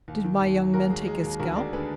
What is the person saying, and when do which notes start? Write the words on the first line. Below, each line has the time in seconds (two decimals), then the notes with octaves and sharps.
"Did my young men take his scalp?"
0.08 D#2
0.24 D#3
0.40 D#2
0.58 F#3
0.74 D#2 F#4 A#4
0.90 G#3
1.07 G#3
1.24 D#2
1.40 D2 F#4 A#4
1.56 G#3 A#4 D5
1.73 D3 G#4 B4